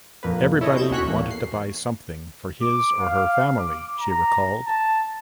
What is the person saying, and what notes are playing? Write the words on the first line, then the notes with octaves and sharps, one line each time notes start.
"Everybody wanted to buy something for his or her family," she recalled.
A#1 F2 A#3 B4
E4 A4 C#5 D#5
B2 C4 G6 E7
D#2 C#4 F#4 C#5 F#6 B6
E2 A2 A#3
C7
D6
F5
D6
A#5
A5